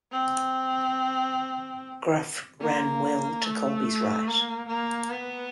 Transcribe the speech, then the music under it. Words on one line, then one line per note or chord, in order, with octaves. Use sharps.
Graf ran well to Kolbe's right.
C4
A#3
A3
A#3
A#3
B3